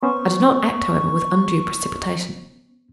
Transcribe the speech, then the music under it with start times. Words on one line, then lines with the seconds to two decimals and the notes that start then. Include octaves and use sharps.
I did not act, however, with undue precipitation.
0.03 B3 C#4 C5 C#6